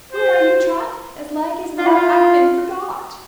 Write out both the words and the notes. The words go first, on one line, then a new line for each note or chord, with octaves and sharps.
"Where are you, Trot? As like as not I've been forgot!"
C5
F4
E4
F4